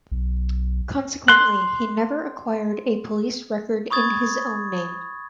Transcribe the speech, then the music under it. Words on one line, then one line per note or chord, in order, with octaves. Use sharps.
Consequently, he never acquired a police record in his own name.
B1
C6 F#6
B5 C#6 D#6 G#6 A6